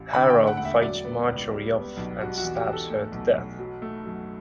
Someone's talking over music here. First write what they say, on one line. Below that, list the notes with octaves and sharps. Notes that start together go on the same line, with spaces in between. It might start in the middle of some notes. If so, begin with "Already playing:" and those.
Harold fights Marjorie off and stabs her to death.
Already playing: A1
D3 B5
G5
A3
F#5
E1 F#5
E5
F#3 D5
B3
C#2
G3
B3
B1
G3 F#4
F#4
E2
G4
E2
A4
A3
B1
B1
F#3
A3
F#2